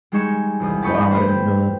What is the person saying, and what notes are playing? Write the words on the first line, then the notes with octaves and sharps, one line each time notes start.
Wow, I didn't even know that.
G3 G#3 D#4 G#5 C#6 E7
E1 C2 D#6
A5 B5 C#6 D#6 G6
A3 B4 C5
G5